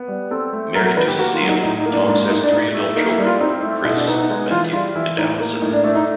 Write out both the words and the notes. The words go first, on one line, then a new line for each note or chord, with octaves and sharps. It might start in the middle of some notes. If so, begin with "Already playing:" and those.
Married to Cecile, Tonks has three adult children, Chris, Matthew, and Alison.
Already playing: B3
G3
C4 A4
A3
F#3 A#4
A#4
D#3 B4
G4
A#3 F#4
F4
F#3
D#4
A2 D#4
D#4
A#3
D4
G#2 D4
G#3 D#4
D4
A2 D#4
A3
A#3 D#4
E4
G3
F4
C4 D#4
A3 E4
B2 E4
D4
B3 D#4
D#4
G#3 D#4
E3 F4
G3 F4
E3 E4
A2 D#4
A#3
A2 D#4
D4
A3 D4
D#4